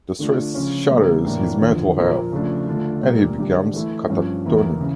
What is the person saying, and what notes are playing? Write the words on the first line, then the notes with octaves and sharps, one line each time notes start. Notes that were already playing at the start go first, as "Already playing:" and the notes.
The stress shatters his mental health, and he becomes catatonic.
D3 A3 D4 F4
C#3 F3 C#4 F4
C#3 G3 A#3
A2 E3 A#3 D4
E2 D3 F3
A#2 F3 A#3
C#3 F3 A3 D4
D3 A3 D4 F4
A#2 G3 A#3
D3 G3 D4
E3 A3 E4
G2 F3 C#4
E2 E3 A#3 E4
C#3 E3